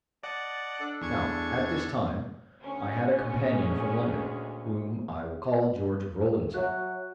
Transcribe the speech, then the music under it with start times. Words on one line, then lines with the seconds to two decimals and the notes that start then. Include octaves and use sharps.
Now, at this time I had a companion from London, whom I will call George Rollinson.
0.23 D5 D#5 F#5 A5
0.80 D4 A4
1.01 E2 C#6 G#6
2.63 D2 C#4
3.34 A#2 G#3
6.54 F#3 F#4 C#5 E5 F#6